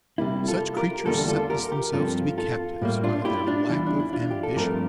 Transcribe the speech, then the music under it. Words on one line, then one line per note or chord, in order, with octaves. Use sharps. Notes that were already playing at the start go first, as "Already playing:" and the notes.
Such creatures sentence themselves to be captives, by their lack of ambition.
C3 G3 A#3 E4
F4 A4
G4 A#4
E2 D3 G3 A#3 F4 A4
F4 A4
G4 A#4
G4 A#4
G2 F3 C4 F4 A4
F4 A4
A2 G3 A#3
D4 F4
E4 G4
D4 F4
E2 E3 G3 E4
D4
E4
D4 F4
G4
A4
G2 F3 A3 C4 G4 A#4